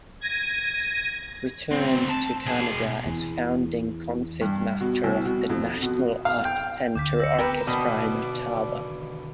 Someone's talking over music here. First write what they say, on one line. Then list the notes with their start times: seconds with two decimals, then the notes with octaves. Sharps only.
Returned to Canada as founding Concertmaster of the National Arts Centre Orchestra in Ottawa.
0.21 G#6 A#6 D#7
1.71 D2 C4
2.09 A5
2.46 B2 G#4
3.06 E2
4.41 G2
4.81 B2
5.04 C2
5.25 B2
5.50 F2
5.82 B2
6.25 F5
6.45 G5
6.95 D2 D6 G6 B6
7.19 E6 A#6 C#7
7.38 B3 G4 A#4 B4
7.67 B2 D3 D#3 F#4 D5